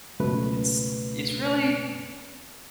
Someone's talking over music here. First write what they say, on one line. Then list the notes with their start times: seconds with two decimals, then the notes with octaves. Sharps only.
It's it's really
0.20 C#2 F#2 B2 A3 B4